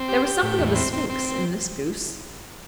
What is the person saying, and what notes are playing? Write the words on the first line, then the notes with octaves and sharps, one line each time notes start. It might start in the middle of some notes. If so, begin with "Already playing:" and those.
There was something of the Sphinx in this goose.
Already playing: C4
G4
G4
A2
E2
C4
C4
C4